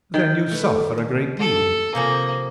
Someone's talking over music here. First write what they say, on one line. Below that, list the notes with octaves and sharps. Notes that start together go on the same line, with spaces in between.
"Then you suffer a great deal?"
D#3 G5
A3 B4
D#2
A4
C3 F3 A#3 G#4